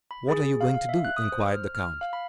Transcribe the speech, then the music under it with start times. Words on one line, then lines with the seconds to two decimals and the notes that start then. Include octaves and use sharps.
"What are you going to do?" inquired the count.
0.11 B5
0.28 G#4
0.61 F5
0.74 F5
0.89 E5
1.05 F#6
1.17 D#6
1.32 C5
1.54 F6
1.75 F6
2.01 F5
2.13 B5